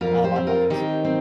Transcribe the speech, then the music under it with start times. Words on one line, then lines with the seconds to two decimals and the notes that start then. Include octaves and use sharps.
out of our pockets.
0.01 F2 F4 A#4
0.24 G4 C5
0.36 C4
0.47 F4 A#4
0.70 D#3 D#4 G4
1.05 C4